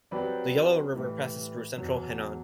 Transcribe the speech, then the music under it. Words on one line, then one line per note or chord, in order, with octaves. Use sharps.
The Yellow River passes through central Henan.
F#3 C4 G4 B4 D5
A2 E3 G3
E2 B2 F#3